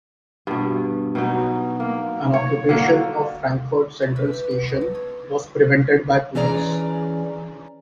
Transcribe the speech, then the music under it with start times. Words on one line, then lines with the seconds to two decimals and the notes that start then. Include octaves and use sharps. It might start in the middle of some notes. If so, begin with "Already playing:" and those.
An occupation of Frankfurt Central Station was prevented by police.
0.47 G2 B2
1.15 B2 F#3 D#4
1.80 A#3
2.34 C#5
2.69 D3 F#3 A#3
4.02 E4
4.16 B4
4.33 G4
4.51 B3
4.68 D#5
4.81 A4
4.95 C#5
6.35 E3 C#4 G#4 D5 A#5